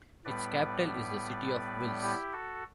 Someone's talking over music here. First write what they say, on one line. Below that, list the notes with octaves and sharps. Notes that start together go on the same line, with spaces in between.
Its capital is the city of Wiltz.
A2 G3 B3 B4 D5
E4 G4
F#4 A4